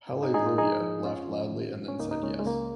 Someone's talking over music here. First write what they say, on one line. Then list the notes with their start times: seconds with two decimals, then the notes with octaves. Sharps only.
Hallelujah", laughed loudly and then said "Yes.
0.11 G#2
0.23 D#4 G#4
0.34 G#2 D#4 G#4
0.46 F4 A#4
0.58 F3 D#4 G#4
0.81 F3
1.05 F2 C#4 F4
1.29 F3
1.52 D#3
1.75 G#2
1.88 C#4
1.99 C#2 A#3 D#4
2.11 D#4
2.22 C#2 G#3 C#4
2.39 G#3
2.46 C#2 A#3